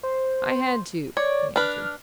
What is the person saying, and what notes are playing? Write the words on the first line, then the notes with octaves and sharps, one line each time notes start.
"I had to," he answered.
C5
C#5 D5
D4 B4 F6